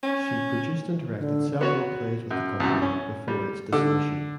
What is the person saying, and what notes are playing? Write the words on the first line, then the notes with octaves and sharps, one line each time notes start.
She produced and directed several plays with the company before its dissolution.
C#4
D3
B3 F#4 C#5
F#2
C2 F#2
C#4
G3
D3